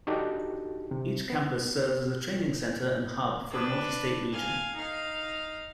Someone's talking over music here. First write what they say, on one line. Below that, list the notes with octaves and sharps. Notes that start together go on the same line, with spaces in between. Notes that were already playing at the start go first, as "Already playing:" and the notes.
Each campus serves as a training center and hub for a multi-state region.
D4 D#4 F#4 G4 A4
C3
B3
D4 B4
F5 G#5
D#4 F5